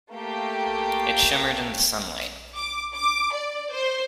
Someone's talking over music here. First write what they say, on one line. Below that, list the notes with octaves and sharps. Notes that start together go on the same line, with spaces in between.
It shimmered in the sunlight.
A3 A#3 G4 G5
D6
D6
D5
C5